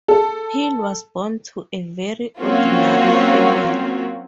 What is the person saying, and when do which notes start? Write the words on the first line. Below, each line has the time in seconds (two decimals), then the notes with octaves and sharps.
Hill was born to a "very ordinary" family.
0.08 A4
2.38 F#3 A#3 C4 C#4 F4 F#4